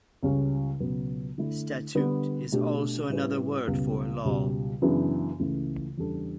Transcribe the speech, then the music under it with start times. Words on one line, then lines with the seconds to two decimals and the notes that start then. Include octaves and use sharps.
Statute is also another word for law.
0.23 C#2 C#3 G3 C#4
0.80 C#2 B2 F#3 B3
1.38 D3 A3 E4
1.95 D3 G3 B3
2.52 B2 A3 D4 G4
3.10 A2 G3 C#4 E4 B4
3.67 C#2 B2 G3 B3
4.24 C#2 B2 G3
4.82 F#2 C#3 E3 B3 D4
5.40 C#2 C#3 E3 A3
5.97 E2 C#3 G3 D4 A4